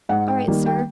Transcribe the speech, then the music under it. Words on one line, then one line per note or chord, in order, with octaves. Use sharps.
'All right, Sir.
G#2 F#5
G5
D#3 G3 A#3
G5